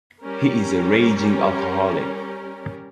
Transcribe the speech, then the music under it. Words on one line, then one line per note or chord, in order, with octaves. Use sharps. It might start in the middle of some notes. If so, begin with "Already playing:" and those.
He is a raging alcoholic.
G3 C#4 A#4